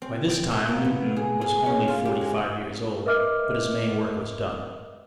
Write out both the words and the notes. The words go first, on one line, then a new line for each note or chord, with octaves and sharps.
By this time Newton was only forty-five years old, but his main work was done.
C4
G5
A#2
A#3
B3
G#4
G#4
C#4
F4
G4
G#3
A#4 B4 D#5 E5 D6 F6